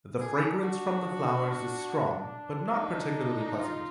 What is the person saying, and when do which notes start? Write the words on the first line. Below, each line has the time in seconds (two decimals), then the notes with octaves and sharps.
The fragrance from the flowers is strong but not particularly pleasant.
0.21 D4 G#4
0.63 F#4
2.75 D#4
3.59 F4